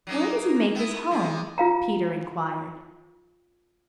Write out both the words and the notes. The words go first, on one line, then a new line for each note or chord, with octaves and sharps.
"Where does he make his home?" Peter inquired.
F#3 A#3 D#4
B3 E4
C3 G#3
F4 F5 A#5